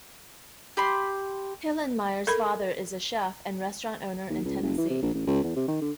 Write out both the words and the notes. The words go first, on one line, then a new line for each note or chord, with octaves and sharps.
Hillenmeyer's father is a chef and restaurant owner in Tennessee.
G4 B5 C6
A4 A#4 B5
D#2
C#2
F#1
E3
C3
A#1
A1
C#2
E2
C3
D#3
D3